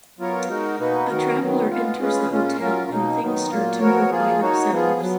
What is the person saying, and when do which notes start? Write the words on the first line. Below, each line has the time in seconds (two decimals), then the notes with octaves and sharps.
A traveller enters the hotel and things start to move by themselves.
0.19 F#3 B3 F4 A#4 C#5
0.48 G#3 D#4 F#4 A#4
0.79 B2 A#3 D#4 F#4 B4
1.09 D#3 F#3 B3 F#4 A#4
1.39 D#3 F#3 B3
1.69 G#3 B3 F4
2.00 G#3 C#4 F4 G#4 B4
2.30 A#2 G#3 C#4 F4
2.60 F#3 C#4 F4 A#4
2.90 B2 F#3 A#3 D#4
3.20 D#3 F#3 B3 D#4
3.50 A#2 F#3 A#3 F4
3.80 F3 B3 F#4 A#4 C#5
4.10 F3 A#3 F4 G#4
4.40 A#3 D#4 F#4 C#5
4.70 F3 B3 F4 G#4
5.00 F#3 B3